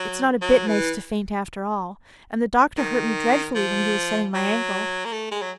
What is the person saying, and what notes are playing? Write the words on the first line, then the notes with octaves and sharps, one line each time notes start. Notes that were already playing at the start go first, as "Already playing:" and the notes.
It's not a bit nice to faint, after all. And the doctor hurt me dreadfully when he was setting my ankle.
Already playing: F#3
F#3
E3
D#3
F3
F#3
A#3
A3
G#3
F#3